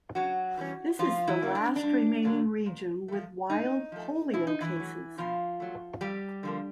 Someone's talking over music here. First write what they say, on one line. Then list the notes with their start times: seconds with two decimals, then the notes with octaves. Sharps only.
This is the last remaining region with wild polio cases.
0.15 C#3 F#3 F#4
0.57 E3 G3 A#3 C#4
0.99 G2 F3 F4
1.27 E3 E4
1.41 D3 F#3 A#3 D4
1.55 D4
1.76 D4
1.83 G2
2.24 D3 F#3 A#3 D4
2.66 A#2
3.08 F3 A3
3.50 A#2 D#4
3.92 F3 A3
4.34 B2 E4
4.47 D#4
4.61 E3 E4
4.76 F#3 A3
5.18 B2 F3 F4
5.60 F#3 A3
6.01 F2 G3 G4
6.43 D3 F3 A#3